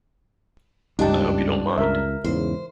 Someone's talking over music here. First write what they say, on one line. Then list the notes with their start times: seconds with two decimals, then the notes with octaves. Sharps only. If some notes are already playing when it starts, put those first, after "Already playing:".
I hope you don't mind.
0.99 F#1 C#2 G2 D4 D#4 G4 A5
1.78 C#2 A#4 E5
2.24 E2 G#2 C#3 C5